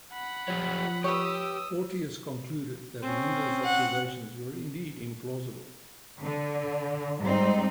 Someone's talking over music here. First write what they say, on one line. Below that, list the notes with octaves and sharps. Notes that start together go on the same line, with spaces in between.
Porteous concluded that Mendel's observations were indeed implausible.
F#5 B5
F3 F4 G4 C#5
G4 B4 C#5 D#6 E6
C4 C#4
F#5
D3
G#2 G3 C4 D#4